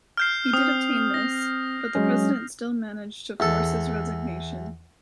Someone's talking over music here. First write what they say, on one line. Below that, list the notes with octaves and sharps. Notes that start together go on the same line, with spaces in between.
He did obtain this, but the President still managed to force his resignation.
F6 G6 C7
C4 D#6
A#6
F#3 G#3 C#4
E2 A4